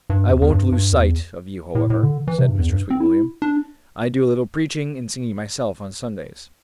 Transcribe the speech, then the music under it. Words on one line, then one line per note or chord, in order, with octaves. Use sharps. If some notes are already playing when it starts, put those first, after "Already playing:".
"I won't lose sight of you, however," said Mr. Sweetwilliam, "I do a little preaching and singing myself on Sundays."
G2
E2
E2
G2
G2
E2
A2
A2
D3
E3
C3
G2
E2
G2
C4
E4
D4